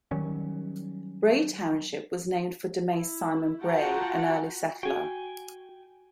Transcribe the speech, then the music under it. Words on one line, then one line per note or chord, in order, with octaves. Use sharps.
Bray Township was named for Damase Simon Bray, an early settler.
D#3 F#3 G3 C#4
E4
F4 F#4 F#5 G5 A5 A#5
F#4 G5 G#5